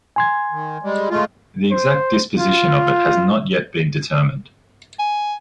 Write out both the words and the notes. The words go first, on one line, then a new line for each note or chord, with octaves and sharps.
The exact disposition of it has not yet been determined.
G#5 C6 G#6
D#3
G3 G#3
G#3 A3 F4
C5
F4
G#5